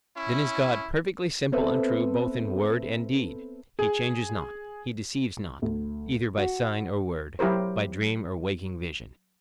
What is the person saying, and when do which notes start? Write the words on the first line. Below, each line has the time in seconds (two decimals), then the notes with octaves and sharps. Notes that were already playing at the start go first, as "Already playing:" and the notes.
Then is God perfectly simple and true both in word and deed; he changes not; he deceives not, either by sign or word, by dream or waking vision.
0.16 C#4 E4
1.52 B3 C4 A4 B4 C5 E5
3.79 G#4
5.62 D2
6.38 F#4
7.39 F#3 E4 G4 A#4 C5